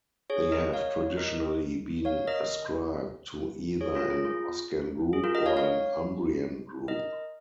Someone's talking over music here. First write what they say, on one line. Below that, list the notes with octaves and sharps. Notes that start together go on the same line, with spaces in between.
They have traditionally been ascribed to either an Oscan group or an Umbrian group.
G#4 C#5
A#4 D#5
C#5 F5
A#4 D#5
C#5 F5
A#4 D#5
G#4 C#5
F4 A#4
G#4
F4
G#4
F4 A#4
A#4 D#5
C#5 F5
C#5 F5
A#4 D#5